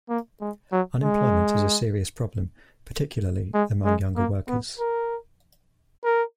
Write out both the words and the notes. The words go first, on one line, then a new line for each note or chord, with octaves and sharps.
Unemployment is a serious problem, particularly among younger workers.
A#3
G#3
F#3
G#3
G#3
G#3
A#3
B3
A#4
A#4